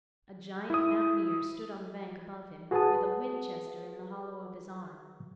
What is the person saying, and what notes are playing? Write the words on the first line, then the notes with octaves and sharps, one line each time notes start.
A giant mountaineer stood on the bank above him, with a Winchester in the hollow of his arm.
E4 D#6
F#4 G#4 B4 F#5 A5 D#6